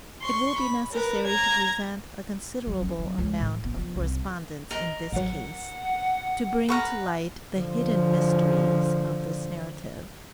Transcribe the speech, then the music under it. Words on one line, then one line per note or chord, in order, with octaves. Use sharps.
It will be necessary to present a considerable amount of correspondence in this case, to bring to light the hidden mysteries of this narrative.
C6 C#6
B5
A#4 B4
A#5 G#6
F#3
C#4
F#3
C#2
A2
B3
F3
C2
A#4 D#5
A1 F#3 F#5
A4 B4 F#5 A#5 C#6 F6
D3 F3